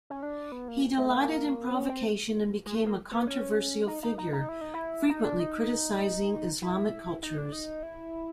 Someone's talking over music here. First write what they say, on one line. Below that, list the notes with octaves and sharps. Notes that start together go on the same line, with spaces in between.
He delighted in provocation and became a controversial figure, frequently criticizing Islamic cultures.
C#4
D4
B3
A#3
A3
A3
A#3
C4
C#4
C4
G#3
A3
A#3
B3
C#4
D#4
D#4
D#4
D#4
E4
D#4
E4
D#4
D4
D#4
E4
D#4
D4
D#4
E4